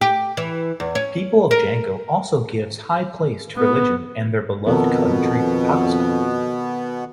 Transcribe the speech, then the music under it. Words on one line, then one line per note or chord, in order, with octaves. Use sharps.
People of Jango also gives high place to religion and their beloved country Pakistan.
G4
E3
E2
C#4
A#4
B3
F2 B2 D#3 B3 A4 A#4